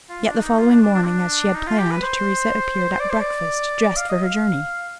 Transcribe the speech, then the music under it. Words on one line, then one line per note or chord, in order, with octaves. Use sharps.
Yet the following morning, as she had planned, Theresa appeared at breakfast dressed for her journey.
F4
D4
D#4
F4
D4
D4
D4
C4
D4
D#4
F4
G4
B4
C5
D5
C5
D5
F5
D#5
F5